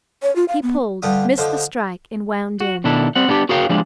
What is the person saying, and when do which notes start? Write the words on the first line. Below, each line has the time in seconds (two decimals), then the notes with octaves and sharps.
He pulled, missed the strike, and wound in.
0.23 C#5
0.36 F4
0.48 F5
0.63 B3
1.02 G2 D3 G3 F4 D#6
1.38 D3 F3 D#4 C5
2.61 F#4
2.84 B2 D#3 D4 E4 A4
3.15 G3 C4 F#5
3.28 G3 B3 D4 G4
3.49 F#4 G#4 A#4 C#5 F5 G5
3.69 F3 G3 G#3 D4 E4